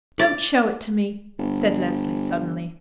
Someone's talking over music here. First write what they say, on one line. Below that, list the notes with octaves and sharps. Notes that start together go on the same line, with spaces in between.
"Don't show it to me," said Leslie suddenly.
D5
G1